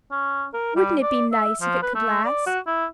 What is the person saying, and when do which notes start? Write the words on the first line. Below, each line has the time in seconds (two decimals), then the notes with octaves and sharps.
Wouldn't it be nice if it could last?
0.11 C#4
0.53 A#4
0.76 G3
1.02 D5
1.32 E5
1.61 F3
1.82 B4
1.95 A3
2.25 D5
2.46 F#4
2.66 E4